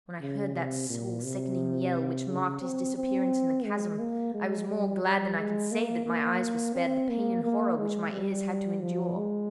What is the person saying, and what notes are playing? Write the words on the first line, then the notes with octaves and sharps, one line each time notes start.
When I heard that soul-sickening yell, which marked his disappearance in the chasm, I was more glad than I can say that my eyes were spared the pain and horror which my ears had to endure.
C#3
C3
A#2
C3
C#3
C4
C4
G#3
A#3
G#3
G3
G3
G#3
A#3
A#3
C4
A#3
A#3
G#3
G3
F3
G#3